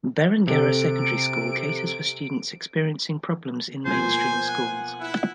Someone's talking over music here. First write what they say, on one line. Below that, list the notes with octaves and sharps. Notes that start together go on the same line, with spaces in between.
Berengarra Secondary School caters for students experiencing problems in mainstream schools.
C3 A4 D7
B2 F3 A#3 C5 G#5
F#5
E4